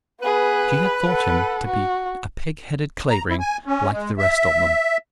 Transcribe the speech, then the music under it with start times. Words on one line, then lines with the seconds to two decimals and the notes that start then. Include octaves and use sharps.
She had thought him to be a pigheaded Clavering, like the rest of them.
0.21 B3 G#4 B4
1.05 A4 F#5
1.66 F#4
3.09 A#5
3.28 E4
3.40 G#5
3.66 C#4
3.92 G#3
4.18 E5